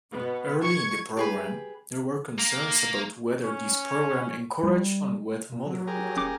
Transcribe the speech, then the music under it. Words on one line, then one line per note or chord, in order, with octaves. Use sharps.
Early in the program, there were concerns about whether this program encouraged unwed motherhood.
B2 B3
C#6 G#6 C#7
G4 G#4 B4
A#3
C#4
G3
A#2
F#3
G4 G#4 A#4
D#1 C#4 D6